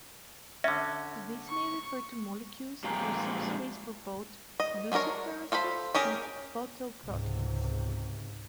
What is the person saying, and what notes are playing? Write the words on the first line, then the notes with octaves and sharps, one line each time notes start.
This may refer to molecules that are substrates for both luciferases and photoproteins.
D3 C#4 E5
C#6
A#2 F3 G#3 G4 D5 A#5
D#5
G#3 B3 D4 A#4 C#5
F4 A4 C5 B5
C#4 G4 G#4 A#4
C#2 G#2 C3